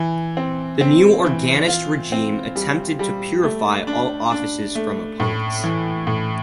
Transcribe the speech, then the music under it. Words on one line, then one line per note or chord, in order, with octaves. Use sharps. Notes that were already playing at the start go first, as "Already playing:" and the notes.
The new Orangist regime attempted to purify all offices from opponents.
Already playing: E3
C4
C4
E3
F4
C4
G3
G3
A3
D4
D4
A3
A2
E3
A2